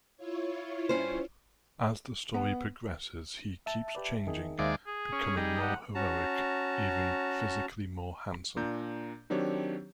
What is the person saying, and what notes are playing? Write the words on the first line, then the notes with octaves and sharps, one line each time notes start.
As the story progresses he keeps changing, becoming more heroic, even physically more handsome.
E4 F4 C#5
G2 C#4 C5
B3
E5 A5
G4 B4 D5
D#3 G#4
D#2 G#3 C5 D5 E5 F5
G#4
C#4
G3 D#4
F#5
C#4 F#4 A5 A#5
A#2 D4 A#5 G6
D#3 F#3 C4 D4 G4 C#5